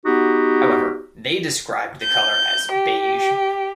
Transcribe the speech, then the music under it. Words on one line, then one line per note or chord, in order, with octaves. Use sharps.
However, they described the color as "beige".
B3 D#4 F#4 G4
G6
G4